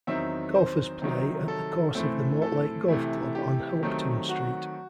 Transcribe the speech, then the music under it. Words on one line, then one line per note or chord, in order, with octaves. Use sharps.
Golfers play at the course of the Mortlake Golf Club on Hopetoun Street.
E2 D#3 F#3 C4 D#4 E5
C5
C3 D#3 F#3
A4
A2 E3 A3 C4
A4
C3 E3 A3 E4
G4
D#3 F#3 A3 C4
F#4